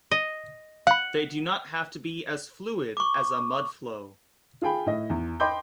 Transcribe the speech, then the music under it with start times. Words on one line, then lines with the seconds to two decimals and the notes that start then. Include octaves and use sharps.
They do not have to be as fluid as a mudflow.
0.11 D#5
0.87 F5 F#5 B5
2.97 C#6 D6
4.62 F4 G#4 G5 B5
4.86 A2 D#5
5.10 E2
5.40 D#5 G5 B5 C6 D6 G6